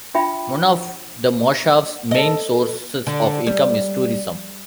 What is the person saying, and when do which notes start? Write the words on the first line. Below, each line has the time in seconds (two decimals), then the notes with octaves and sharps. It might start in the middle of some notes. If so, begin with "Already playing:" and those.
One of the moshav's main sources of income is tourism.
0.14 D4 F4 E5 G5 B5 C6
2.11 A4 D#5
3.07 D3
3.47 G3